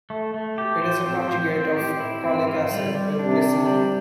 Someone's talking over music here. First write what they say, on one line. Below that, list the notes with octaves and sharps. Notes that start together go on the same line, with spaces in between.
It is a conjugate of cholic acid with glycine.
A3
A3
B2 G4
A2 C5
A2 C4
A2 C5
C4
A2 G4
A2 E4
G#2 C4
G#2 F4
A2 G3
G3
C3 D4
D4
G3